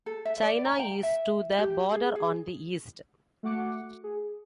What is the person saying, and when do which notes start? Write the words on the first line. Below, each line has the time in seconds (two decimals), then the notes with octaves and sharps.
China is to the border on the east.
0.06 A4
0.25 E5
0.42 D5
0.65 A#5
0.79 G5
1.03 E5
1.59 G4
1.93 G#4
2.15 G#4
3.43 A3 F#4 F#5 D6 C#7
4.04 G#4